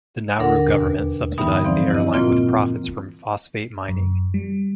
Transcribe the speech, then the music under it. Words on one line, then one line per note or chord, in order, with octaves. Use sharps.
The Nauru government subsidized the airline with profits from phosphate mining.
D#2 D3 D4 A4 A#4 F#5
E2 B2 D4
G2 D3 E3 G3 B3 D#4
E3 F3 C4 C5 D5
E4 D#5
A#2 A#3 C4 F4
F#2
G3